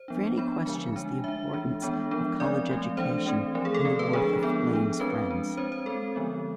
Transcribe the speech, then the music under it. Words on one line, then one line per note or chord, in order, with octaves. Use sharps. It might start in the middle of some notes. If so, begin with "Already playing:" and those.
Franny questions the importance of college education and the worth of Lane's friends.
Already playing: C5
F3 B3 D4
G#3 B3 D4 B5
D3 F3 G#3 G#5
G#3 D4
G#3 D4 E5
E3 G#3 D4
E3 G#3 B3 D4
F3 B3 D4
F3 G#3 C4 D5
F3 A3 C4
E3 A3 D4 C5
E3 A3 C4
F3 A3 C4
G#4
A4
D3 A3 C4
B4
F3 G#3 D4 G#4
F3 B3 D4 A4
F3 B3 D4
F3 G#3 C4 B4
G#3 D4
G#3 C4 C5
C5
G#3 C4 A4
D3 F3 G#3 B3